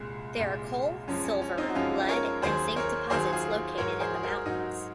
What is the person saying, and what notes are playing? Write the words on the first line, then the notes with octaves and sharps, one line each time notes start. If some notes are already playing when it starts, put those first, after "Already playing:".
There are coal, silver, lead, and zinc deposits located in the mountains.
Already playing: C2 A#2 G#3
C2 A#2 G#3
F#2 F3 G#3 C#4
C#4
C#4
C4 D#4
F#4
F#2 F3 G#3 C#4 F4
A#4 C#5
D#2 D#3 F#3 G#4 C5
A#4 C#5
D#2 D#3 F#3 G#4 C5
F4 G#4
G#2 F#3 A#4 C#5
G#4 C5
G#4
F#4 A#4
G#2 F#3 D#4 F#4